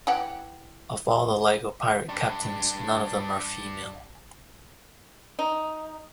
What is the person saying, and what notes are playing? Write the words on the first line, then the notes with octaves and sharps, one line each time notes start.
Of all the Lego Pirate Captains, none of them are female.
E3 G4 F#5
G2 D4
D#4